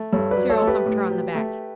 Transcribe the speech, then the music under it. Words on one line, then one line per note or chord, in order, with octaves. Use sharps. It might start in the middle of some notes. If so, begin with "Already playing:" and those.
Cyril thumped her on the back.
Already playing: A3
G2 A4 C#5
B4 D5
F#3
A4 C#5
A3
G4 B4
A2
F#3
A3